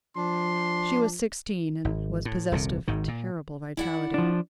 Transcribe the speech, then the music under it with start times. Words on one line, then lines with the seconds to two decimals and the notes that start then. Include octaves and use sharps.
She was sixteen, and was possessed of terrible vitality.
0.17 F3 D4 C6
1.85 G#1
2.25 A2
2.52 D#1 C2 C3
2.88 G#1 G#2 D#3
3.08 A#2
3.77 E4 D5 F#5
4.14 F3 D4